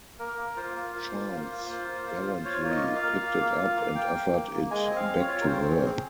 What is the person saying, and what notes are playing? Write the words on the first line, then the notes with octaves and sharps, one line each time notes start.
Charles gallantly picked it up and offered it back to her.
A#3 A#4
A#3
F4 C5
A#3
F4
A#3
A#3
F4
A#3
F4
F4
F4
F4 C#5
A#3 C#5
D#5
F4
F5
A#3
F4
A#3
F4
A#3
A#3 G5
A#3
A#3
A#3
G#3 G#5
C4 D#5
F5
C4
C#5
F4
A#4
C4 C5
C4
G#4
C4